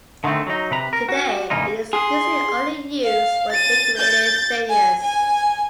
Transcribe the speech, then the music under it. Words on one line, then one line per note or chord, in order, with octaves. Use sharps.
Today, it is usually only used for decorative veneers.
D3 D#3 G#3 A3 C4
F#3 D#4
C3 B4 A#5
A#4
F#4
F2 A2 C#3 A#3 D#4 F4
G#4 C6
F5
A6 D#7
G6 A6
G#5
G#5